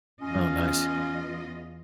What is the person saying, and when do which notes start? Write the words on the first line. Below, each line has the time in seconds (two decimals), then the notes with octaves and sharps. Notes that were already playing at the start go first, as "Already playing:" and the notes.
Oh, nice.
0.21 E2 C#4 F4 D#5